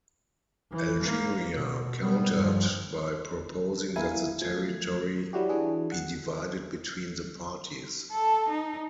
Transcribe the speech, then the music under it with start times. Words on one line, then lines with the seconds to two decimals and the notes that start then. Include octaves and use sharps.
Algeria countered by proposing that the territory be divided between the parties.
0.72 E3
1.03 A#3
1.54 B2
2.00 G3 B3
2.35 G2 F3
3.96 A#3 B3 E4 A#4 F5 G#5
4.41 F3 A3 G#6
5.33 F#3 G3 E4 F#4 G4
5.49 E3 D4 E4 F#4 G#4
5.92 F#5
8.12 A4
8.49 D#4